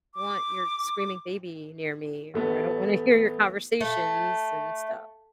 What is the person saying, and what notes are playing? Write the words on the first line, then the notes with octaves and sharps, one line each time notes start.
want your screaming baby near me," or, "I don't wanna hear your conversations and stuff."
D6
A1 A3 B3
A3